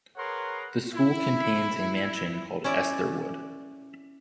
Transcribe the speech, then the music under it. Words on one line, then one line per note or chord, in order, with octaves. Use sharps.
The school contains a mansion called Estherwood.
G#4 A#4 B4 C#5 F#5 C6
E4
C#4 E4 D5